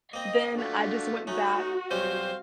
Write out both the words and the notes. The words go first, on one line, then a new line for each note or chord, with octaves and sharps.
then, I just went back,
A#3 C4 D#5
A3 D4 F4 F#4
A3 C#4 D#4 F#4
B1 G3 C4 C#4 C5 F5